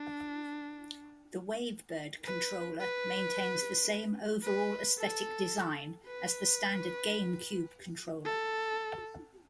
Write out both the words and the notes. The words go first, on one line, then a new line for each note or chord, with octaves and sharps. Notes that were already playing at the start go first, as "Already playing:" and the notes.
The WaveBird controller maintains the same overall aesthetic design as the standard GameCube controller.
Already playing: D4
B4
B4
B4
A4
B4
A4